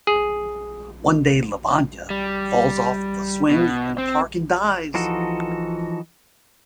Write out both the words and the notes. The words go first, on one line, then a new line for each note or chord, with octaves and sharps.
One day, Lavanya falls off the swing in a park and dies.
G#4
G3
B2
C4
E3 F3 D#4 F#4 A4